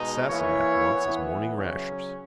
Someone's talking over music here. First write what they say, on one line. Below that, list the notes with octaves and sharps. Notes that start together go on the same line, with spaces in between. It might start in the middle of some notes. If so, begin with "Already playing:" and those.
The Sassenach wants his morning rashers.
Already playing: B2 G#3 D#4
E3 A#3 E4 C#5
E3 B3 E4
C#3 F#3 C#4